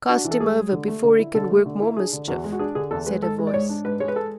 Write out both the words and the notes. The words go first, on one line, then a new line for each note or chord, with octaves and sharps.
"Cast him over before he can work more mischief," said a voice.
D4 F#4
E3
A4
G#2 G#4
G#3
D3
A3
D3
E4
D3 A4
A3
D3
E4
D4 G#4
D3
E2 F#4
G#3
F#4
D4 G#4
D3 G#4
E2 A4
G#3 B4
G#2 A4
G#3
D5
G#2 C#5
D4
G#2 B4
G#3 C#5
B4
A4